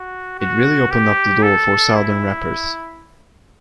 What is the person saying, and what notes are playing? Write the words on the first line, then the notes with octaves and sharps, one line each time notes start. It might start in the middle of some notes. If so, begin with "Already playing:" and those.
It really opened up the door for Southern rappers.
Already playing: F#4
F#4
G4
A4
E4